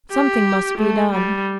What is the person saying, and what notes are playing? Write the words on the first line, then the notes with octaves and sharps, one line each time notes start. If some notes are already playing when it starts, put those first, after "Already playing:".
Something must be done.
G4
A3
G3